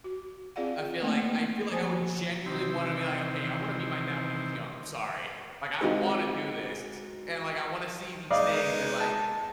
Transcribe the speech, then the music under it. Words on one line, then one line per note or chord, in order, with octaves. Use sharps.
I feel like I feel like I would genuinely wanna be like, "Okay, I wanna meet my dad when he was young, I'm sorry." like, "I wanna do this," and, like, "I wanna see these things," and, like,
F#4
C4 F4 G#4 D5 F5 F#5
A3 A#3 C4 D#4 F#5 G5
F#5
F3 C5 G#5 A5
C3 D#3 E3 C4
G#3 C4 D#4 F4 F#4
G#3 B3 D#4 D5 D#5 F5
A5